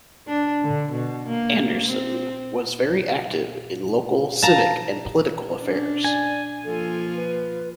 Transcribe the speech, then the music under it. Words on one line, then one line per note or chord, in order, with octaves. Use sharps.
Anderson was very active in local civic and political affairs.
D4
D3
B2
A#3
C4
F5 A5 A#5
C#4 D4
D5 G#5
F3 A#3 F4 A4
B4